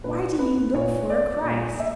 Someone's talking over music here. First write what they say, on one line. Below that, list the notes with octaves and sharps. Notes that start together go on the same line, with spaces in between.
Why do ye look for a Christ?
A#2 B4
B4
A#2 C#5
D5
A#2
E5